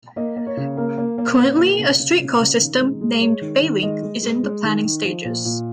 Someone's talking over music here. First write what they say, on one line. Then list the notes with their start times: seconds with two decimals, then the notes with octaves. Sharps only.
Currently, a streetcar system, named 'Baylink' is in the planning stages.
0.16 A#3 D#5
0.36 A#3
0.47 C#5
0.57 C#3
0.77 A#3 A#4
0.98 A#3
1.18 A#3
1.39 A#3
1.58 A#3
1.79 C#3
2.00 C#3
2.20 C#3
2.40 C#3
2.61 D#3
2.81 G#3
3.01 G#3
3.21 G#3 C#5
3.42 D#3
3.62 D#3
3.82 G#3 D#5
4.03 G#3
4.23 G#3
4.43 G#3
4.64 D#3
4.84 D#3
5.05 F3
5.24 A#2
5.45 A#2